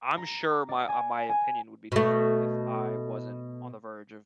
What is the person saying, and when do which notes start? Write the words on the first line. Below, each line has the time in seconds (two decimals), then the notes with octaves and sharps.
I'm sure my, uh, my opinion would be different, if I wasn't on the verge of
0.17 A#5
0.69 D5
0.88 G#5
1.29 G#5
1.92 B2 A3